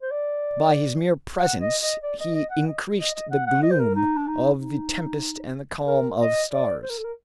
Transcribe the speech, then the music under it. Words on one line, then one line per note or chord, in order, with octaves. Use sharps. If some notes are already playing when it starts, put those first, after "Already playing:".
By his mere presence he increased the gloom of the tempest and the calm of stars.
C5
D5
F#5
D#5
D#5
D5
D#5
D#5
F#5
D#5
D#5
D#5
F#5
F#5
D#5
C5
A#4
D#4
D4
D#4
D#4
A#4
D#5
D5
C5
A#4
A4
A#4